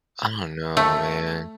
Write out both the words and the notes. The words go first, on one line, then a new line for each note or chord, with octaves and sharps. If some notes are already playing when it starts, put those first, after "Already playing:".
I don't know, man.
A3